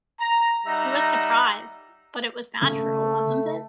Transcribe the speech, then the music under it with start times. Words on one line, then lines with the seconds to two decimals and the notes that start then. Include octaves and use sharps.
He was surprised; but it was natural, wasn't it?
0.20 A#5
0.66 G3 D#4 E5 F#5 A#5
2.62 C#3 A3